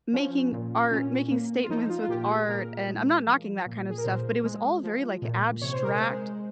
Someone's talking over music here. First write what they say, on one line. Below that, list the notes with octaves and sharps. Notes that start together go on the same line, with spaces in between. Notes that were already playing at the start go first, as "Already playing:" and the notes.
making art making statements with art, and I'm not knocking that kind of stuff, but it was all very like abstract,
F3 C#4
A#2
A#2 C#4
A#3
F4
F3 D#4
F4
F4
A#2 G4
G#4
A#2 A#4
G#3
F3
A#2
G#4
A#4
A#2 C5
G#3
F3
A#2
C3 C#5
C5
A#4
C5
G#3